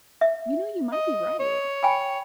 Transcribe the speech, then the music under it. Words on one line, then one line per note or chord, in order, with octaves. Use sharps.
You know, you might be right.
E5
D#5
C#5
G5 G#5 B5